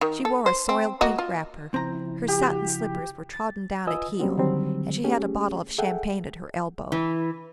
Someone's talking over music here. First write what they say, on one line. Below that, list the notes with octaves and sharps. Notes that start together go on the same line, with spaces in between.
She wore a soiled pink wrapper, her satin slippers were trodden down at heel, and she had a bottle of champagne at her elbow.
D#3
A4
C5
C4
A#3 F#4 D#5
F4
C#3 F3 C4 E4 A#5
G4
F#4
A6
F4 B4 D#5 G#5 D#6 E6
F#3 G3 A#3 C4 C#4 F#4
D3 D#3 F#3 G3 C4
A3 C#4 G4 G#4
G#4 A4 E5 F#5 G5
E3